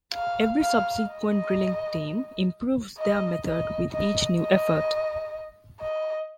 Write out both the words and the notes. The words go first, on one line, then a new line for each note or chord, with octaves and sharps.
Every subsequent drilling team improves their method with each new effort.
F5
F5
D#5
D#5
D#5
D#5
D#5
D#5